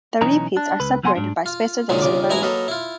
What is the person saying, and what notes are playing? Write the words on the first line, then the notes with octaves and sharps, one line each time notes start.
The repeats are separated by spacers of similar length.
B1 E3 C#4 D#4 A#5
D4
C#2 B4
C#2 F#3 B3 F#5 G#5 C6
G#2 D4
F4
A#2 D3 D#3 F3 F#3 G#3
A#1 D#2 A#2 C#3 D6
A1 E3 G#3 E4 G#5 A#5
F#3 A#3 A4 B4 D#5
E4 F4